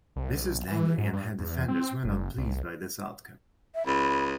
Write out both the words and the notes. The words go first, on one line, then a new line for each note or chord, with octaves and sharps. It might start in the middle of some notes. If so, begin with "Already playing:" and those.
Mrs Langley and her defenders were not pleased by this outcome.
C2
B1
E3
G#2
G2
E2
C4
F#1
C2
E5
C#2 B5